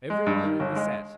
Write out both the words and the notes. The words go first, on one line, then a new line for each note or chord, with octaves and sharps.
Everyone in the set!
G#3
G2
D#3
G1
G#3